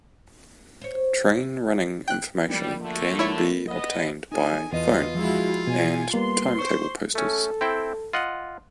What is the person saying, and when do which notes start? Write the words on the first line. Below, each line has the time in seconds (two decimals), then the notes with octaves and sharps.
Train running information can be obtained by phone and timetable posters.
0.81 C5 C#5
2.08 G5 F#6
2.49 F3 G3 A#3
2.81 D3 A3
3.19 E4 C#5 E5
3.67 E2 B3 D#5
4.32 D#4 A4 G#5
4.73 E2 B3 F4 D#5
5.15 F3 G#3 E4 F#4
5.67 B2 G#5
6.14 G3 A#3 B3 C6
6.59 C5 C#6
7.15 A3 C#4 A4
7.61 C4 E4 G5
8.13 F4 D#5 F#5